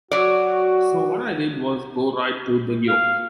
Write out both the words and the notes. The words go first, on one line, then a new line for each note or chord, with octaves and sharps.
So what I did was go right to the 'yoke'.
F#3 F#4 D5
F5